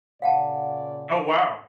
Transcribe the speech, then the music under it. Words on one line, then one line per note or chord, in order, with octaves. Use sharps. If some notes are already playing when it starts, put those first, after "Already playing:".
Oh, wow.
A#2 C#3 D5 F5 F#5 A5